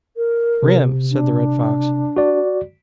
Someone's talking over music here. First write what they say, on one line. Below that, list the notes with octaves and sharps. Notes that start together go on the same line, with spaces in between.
"Rim," said the Red Fox.
A#4
C3
D4
F#4 D5